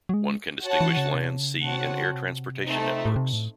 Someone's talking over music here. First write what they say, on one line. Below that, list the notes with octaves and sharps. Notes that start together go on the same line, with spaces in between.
One can distinguish land, sea and air transportation networks.
F#3
G#3
F#4 C#5 F#5 A5
E3
C#3
C3
C#3
C3 C4 F#4 C#5 F#5 A5
C#3
C3
A3 C4 D#4
A2
C3
A2